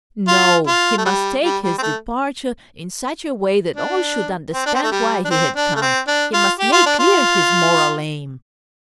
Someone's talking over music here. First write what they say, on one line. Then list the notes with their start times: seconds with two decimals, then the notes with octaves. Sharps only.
No, he must take his departure in such a way that all should understand why he had come, he must make clear his moral aim....
0.28 F4
0.67 F4
0.98 A3
1.05 G3
1.44 G3
1.63 G3
1.78 C4
1.82 A3
3.76 D4
4.53 C4
4.66 D4
4.74 C4
4.83 A3
4.92 G3
5.25 D4
5.30 C4
5.56 D4
5.75 A3
5.82 C4
6.07 D4
6.33 F4
6.59 G4
6.72 F4
6.86 D4
6.99 F4